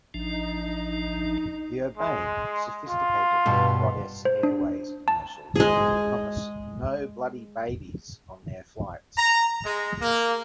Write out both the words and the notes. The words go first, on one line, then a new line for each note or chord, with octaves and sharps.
The urbane, sophisticated Goddess Airways commercials promise "no bloody babies" on their flights.
A1 F3 D4 D#4
G#3
F4
G2 B2
C5
D4
A5
G#3 G#4
A#5
G#3
A#3